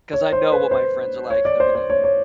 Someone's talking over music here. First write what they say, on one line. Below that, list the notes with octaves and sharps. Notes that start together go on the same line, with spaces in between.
'cause I know what my friends are like. They're gonna
C#5
C5
B4
C5
C#5
D5
C5
C5
C#5
C#5